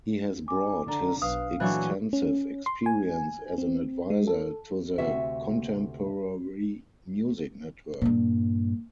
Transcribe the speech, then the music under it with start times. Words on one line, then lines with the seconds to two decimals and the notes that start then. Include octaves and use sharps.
He has brought his extensive experience, as an advisor, to the Contemporary Music Network.
0.48 G#5 D6
0.88 D3 D4 A#5
1.22 B1 B4 F5 D#6
1.60 A#2 E3 F#3 A3 D4 G#5 C#6 F#6
2.13 C#4
2.66 C6
2.86 G#5
3.58 C4
4.10 G#3
4.28 A4
4.98 D2 C3 F#4 E5
8.01 G2 A#2